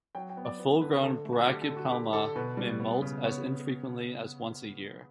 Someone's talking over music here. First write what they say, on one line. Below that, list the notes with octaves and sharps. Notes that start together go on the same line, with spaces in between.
A full-grown "Brachypelma" may molt as infrequently as once a year.
F#3 G5
G5
B3
D5
B3
D3 B4
D3 A4
A3
F#4
D3 G4
A4
D3
F#4
D3 G4
D3 A4
B2 B4
G3
B3
C#3
B3 C#5